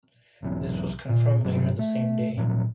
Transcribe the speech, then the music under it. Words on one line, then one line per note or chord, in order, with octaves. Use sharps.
This was confirmed later the same day.
B1 E2 E3 F#3
A#2
G2 C3 F#3
A3
D#2 A#2 F3 F#3